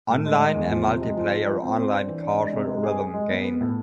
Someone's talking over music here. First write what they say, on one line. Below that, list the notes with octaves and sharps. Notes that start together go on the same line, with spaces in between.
Online, a multiplayer online casual rhythm game.
A2
G#3
G#3
E2
F3
C3
G#3
F3
G#3
F4
C4
C4
D4
E3
D4
G#3
C3
G#3
G#4
G#4
G#3
B3
B3
A2